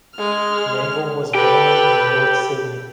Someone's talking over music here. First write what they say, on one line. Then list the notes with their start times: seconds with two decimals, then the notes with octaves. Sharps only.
Nagle was born in North Sydney.
0.16 G#3 F6
1.35 G4 A4 B4